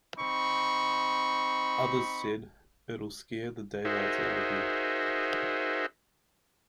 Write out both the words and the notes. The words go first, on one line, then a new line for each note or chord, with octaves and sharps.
Others said, "It'll scare the daylights out of you".
C4 D#4 B5 C#6
D#4 F#4 G#4 A#4 C5 E5